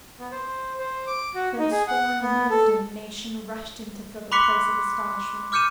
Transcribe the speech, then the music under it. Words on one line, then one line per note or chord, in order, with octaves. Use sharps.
Then scorn and indignation rushed in to fill the place of astonishment.
B3
C5
C5
D6
F#4
D#4
G#4
F#5
B3
A4
B5 C6 D6 F#6 B6 C#7
D6 F6 G6 C#7 D#7 E7